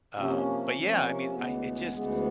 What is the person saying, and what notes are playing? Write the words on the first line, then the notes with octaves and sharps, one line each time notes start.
Um, but yeah, I mean, I it just
C3 F3 A#3 C#4
C3 F3 A#3 C#4
D2 C#3 E3 G#3 B3
D2 C#3 E3 G#3 B3